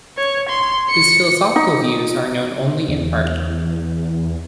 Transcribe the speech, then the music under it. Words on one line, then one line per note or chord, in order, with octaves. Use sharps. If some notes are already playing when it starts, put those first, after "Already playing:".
His philosophical views are known only in part.
C#5
C6
C#7
D#4
E2